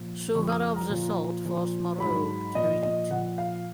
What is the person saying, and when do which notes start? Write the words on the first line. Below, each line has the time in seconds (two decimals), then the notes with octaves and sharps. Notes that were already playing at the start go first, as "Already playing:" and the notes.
Suvarov's assault forced Moreau to retreat.
Already playing: A#2 F3
0.35 F2 C#3 F3 C#6
0.49 D#6
0.62 F6
0.76 A#5
0.89 A#2 F3
1.45 A#2 F3
2.00 G#2 F#3 B5
2.55 A#2 F3 D#5
2.83 D#5
3.10 A#2 F3 F#5
3.38 F5